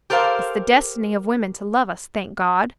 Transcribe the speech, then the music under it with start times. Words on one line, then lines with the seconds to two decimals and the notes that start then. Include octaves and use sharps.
It's the destiny of women to love us, thank God.
0.10 G4 A4 A#4 C5 F5